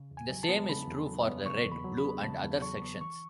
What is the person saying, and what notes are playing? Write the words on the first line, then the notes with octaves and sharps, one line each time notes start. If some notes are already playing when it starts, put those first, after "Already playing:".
The same is true for the red, blue and other sections.
Already playing: C#3
E2
G#5
F#3
A5
B3
C#3 B5
E2
F#3
B3
C#3 C#6
E2
B5
F#3
B5
B3
C#3 A5
E2
F#3 C#6
B3
E3 C#6